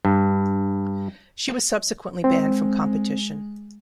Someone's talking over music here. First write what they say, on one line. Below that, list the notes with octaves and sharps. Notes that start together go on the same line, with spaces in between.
She was subsequently banned from competition.
G2
G#3 C4